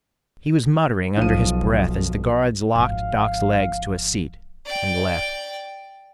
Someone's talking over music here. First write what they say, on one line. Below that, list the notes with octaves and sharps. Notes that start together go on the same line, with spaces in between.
He was muttering under his breath as the guards locked Doc's legs to a seat and left.
B1 F3 D#7
G#1 F3 F5
D5 G5